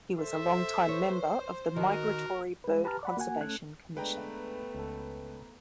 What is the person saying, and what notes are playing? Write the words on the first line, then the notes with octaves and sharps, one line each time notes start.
He was a longtime member of the Migratory Bird Conservation Commission.
A4 C5 E5
B4 C#5
D#3 F#4 A#4
G#3 B4
G4 B4 A5 A#5 F6
D5 F#5 B5
A#3 F#4 F#5 G#5
A3 C#4 A4 F#6 G#6
G#3 A3 B3 D4 B4 G5 A#5
C#2 A4